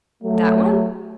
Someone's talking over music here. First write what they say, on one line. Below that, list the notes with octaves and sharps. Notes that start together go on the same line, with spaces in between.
"That one?"
F#3 A3